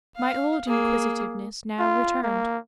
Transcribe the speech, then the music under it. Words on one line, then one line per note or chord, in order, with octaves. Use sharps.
My old inquisitiveness now returned.
F5
A#3 G#4
F4
A#3